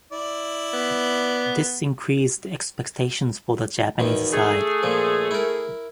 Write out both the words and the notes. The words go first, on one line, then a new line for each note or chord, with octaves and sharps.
This increased expectations for the Japanese side.
E4 D5
B3
E2 B2 D#3
A3 G#4
A#2 F3
E4 A#4